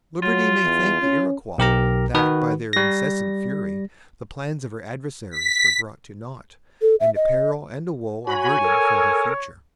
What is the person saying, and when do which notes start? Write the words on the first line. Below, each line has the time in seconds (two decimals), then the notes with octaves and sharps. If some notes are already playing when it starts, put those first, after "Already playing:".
Liberty may thank the Iroquois, that, by their insensate fury, the plans of her adversary were brought to nought, and a peril and a woe averted from her future.
0.23 F#3 F4
0.64 E2
1.02 C#4
1.58 B1 G4 A#4 A#5
2.14 D#3 F#4 B4
2.73 G3 A#6
5.30 B6
6.82 A4
7.00 E5
7.16 D#5
8.27 F#4 C#5 G#5 B5
8.64 A4 A#4